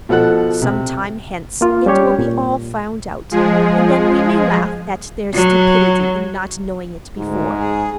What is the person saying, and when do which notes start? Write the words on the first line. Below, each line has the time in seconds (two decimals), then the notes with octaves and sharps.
Some time hence it will be all found out, and then we may laugh at their stupidity in not knowing it before.
0.09 B2 F3 A4 F#5 F#6
0.62 C3
1.61 A#3 F4
1.86 G3 C#4 G4 C#5
2.19 A#2
3.31 F3 G#3 G#4
5.35 F#3
7.17 D2 G#2
7.58 G#4